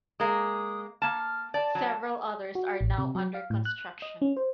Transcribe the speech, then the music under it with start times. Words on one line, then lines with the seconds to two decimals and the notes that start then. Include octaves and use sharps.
Several others are now under construction.
0.20 G#3 A#3 D#6
1.02 A#3 A5 F6
1.54 D5 A5
1.75 F#3
2.55 F#4
2.81 A1
2.98 C3
3.15 F#3
3.34 F5
3.50 A2
3.65 F#6
4.02 D#5
4.22 C#4
4.37 C5